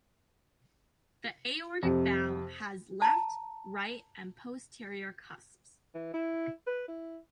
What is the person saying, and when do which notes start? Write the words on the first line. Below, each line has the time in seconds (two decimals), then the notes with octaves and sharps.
The aortic valve has left, right, and posterior cusps.
1.83 F2 C3
3.02 A5 A#5
5.94 E3
6.14 E4
6.66 B4
6.88 E4